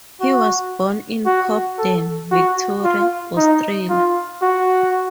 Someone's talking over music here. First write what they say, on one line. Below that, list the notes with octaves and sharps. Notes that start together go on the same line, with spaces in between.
He was born in Cobden, Victoria, Australia.
F#4
F#4
A4
F#4
F4
D#4
F4
F#4